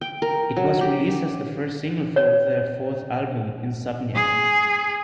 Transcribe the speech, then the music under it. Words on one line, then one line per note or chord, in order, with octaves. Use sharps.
It was released as the first single from their fourth album, "Insomniac".
G5
A#4
F#3
G4
C#5
G#4